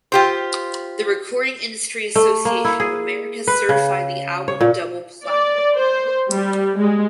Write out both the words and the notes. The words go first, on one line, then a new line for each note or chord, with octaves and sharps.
The Recording Industry Association of America certified the album double platinum.
F4 G4 C5
A3
A#3
E4
G#4
B4
C#3
C#5
A#2
D5
C5
G3
G#3